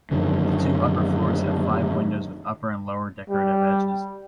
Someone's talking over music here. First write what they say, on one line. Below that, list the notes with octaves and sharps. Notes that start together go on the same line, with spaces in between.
The two upper floors have five windows with upper and lower decorative edges.
F#2 D3 D#3 F3
G3